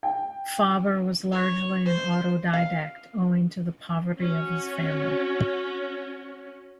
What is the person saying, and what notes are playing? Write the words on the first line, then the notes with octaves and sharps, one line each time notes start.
Fabre was largely an autodidact, owing to the poverty of his family.
G5
C#5
C5
F5
C#4 F#4